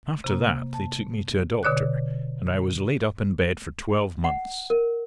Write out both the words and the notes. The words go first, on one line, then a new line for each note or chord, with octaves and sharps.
After that they took me to a doctor, and I was laid up in bed for twelve months.
C3 A#3
A5
B2 D3 C#5 D6 F#6
F#5
A#4